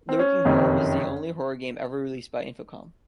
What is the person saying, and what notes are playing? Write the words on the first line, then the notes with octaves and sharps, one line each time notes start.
"Lurking Horror" was the only horror game ever released by Infocom.
C4
C#4
F#1 F2 C3 D#3